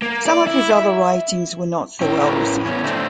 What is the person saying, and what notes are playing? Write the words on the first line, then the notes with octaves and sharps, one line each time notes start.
Some of his other writings were not so well received.
A#3
D5
E4
E5
A2 C#4 G5
C#4 A#4 B4
E2 C#4
D3 A3 C4